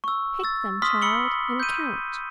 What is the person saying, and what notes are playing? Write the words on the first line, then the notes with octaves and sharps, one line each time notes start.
Pick them, child, and count.
C#6 E6
E6 A6
C6 C#6 D#6 F6 B6
B5 E6 C#7 F#7 G7
G6 D#7